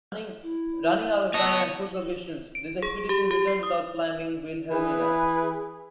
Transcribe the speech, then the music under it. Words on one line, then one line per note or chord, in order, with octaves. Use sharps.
Running out of time and food provisions, this expedition returned without climbing Wilhelmina.
E4
B3 C#5 D#5 A5
D7
G#4
G4
G4
C7
D#6
E3 G#4 B4